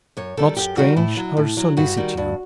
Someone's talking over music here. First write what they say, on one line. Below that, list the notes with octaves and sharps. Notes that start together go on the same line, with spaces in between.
Not strange her solicitude.
F#2 C#5
D#3 G3 A4
F#2 G4
D#3 G3 F#4
A2 E4
F#3
A2
F#3
G2 F#4
D#3 G3
G2